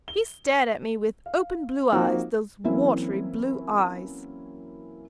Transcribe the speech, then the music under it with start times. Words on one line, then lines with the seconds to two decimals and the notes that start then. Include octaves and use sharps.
He stared at me with open blue eyes--those watery blue eyes.
0.08 G7
1.26 F5
1.92 F3 A#3 C4 D#4 F#4
2.64 E3 F#3 A#3 C4 C#4 E4